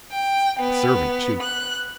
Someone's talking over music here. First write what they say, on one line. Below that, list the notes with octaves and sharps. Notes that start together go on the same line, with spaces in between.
A servant too.
G5
B3
F#6